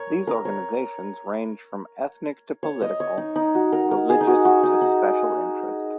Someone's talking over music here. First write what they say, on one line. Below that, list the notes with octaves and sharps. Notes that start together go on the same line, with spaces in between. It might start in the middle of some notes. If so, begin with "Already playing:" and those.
These organizations range from ethnic to political, religious to special interest.
Already playing: A#4 C#5
A#4
C#5
C#5
D#5
C#5
D#4
D#4
F#4
A#4
A#4
G#4
D#4
F#4
F#4
D#4
D#4